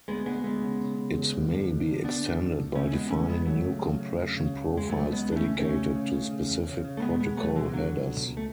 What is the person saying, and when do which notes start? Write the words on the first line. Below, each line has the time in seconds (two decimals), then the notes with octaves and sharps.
It may be extended by defining new compression profiles dedicated to specific protocol headers.
0.08 D2 G#3 B3
0.25 D2 G#3 B3
0.43 D2 G#3 B3
0.62 C#3
0.79 C#3
0.97 C#3
1.15 C#3
1.33 D2
1.51 D3
1.68 D2
1.86 D3
2.04 D3 B3 D4
2.21 D2
2.40 D2
2.57 D2
2.75 C#3 A3 C#4
2.93 C#3 G#3 B3
3.10 C#2 A3 C#4
3.28 C#2 G#3 B3
3.46 C#2 F#3 A3
3.64 C#3
3.82 C#3
4.00 C#3
4.17 C#3
4.35 C#3
4.53 C#2
4.71 C#2
4.77 G#3
4.88 C#2 F#3 A3
5.07 C#3
5.12 G#3 B3
5.25 C#2
5.32 D4
5.36 A3 C#4
5.42 C#2
5.60 E2 A3 C#4
5.77 C#3
5.95 C#3
6.13 C#3
6.31 C#3
6.49 E2
6.67 C#3
6.84 C#3
6.97 A3
7.02 B2 G#3 B3
7.20 B2 G#3 B3
7.38 B2 F#3 A3
7.55 B2 E3 G#3
7.73 C#2 D3 F#3
7.91 C#2
8.09 B2
8.27 C#2
8.37 A3